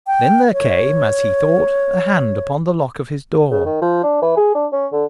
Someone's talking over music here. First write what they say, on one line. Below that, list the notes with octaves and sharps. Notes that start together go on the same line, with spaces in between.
Then there came, as he thought, a hand upon the lock of his door.
G5
C#5
C#3
D#3
F3
D4
E3
G#4
D4
C#4
D3